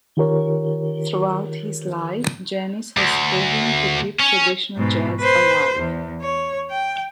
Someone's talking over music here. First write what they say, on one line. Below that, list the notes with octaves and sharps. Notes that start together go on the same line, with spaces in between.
Throughout his life, Janis has striven to keep traditional jazz alive.
D#3 F4 G4 A#4 C#5
D2
C#4
G#2 B2
B4 C5
E2
C#5
G5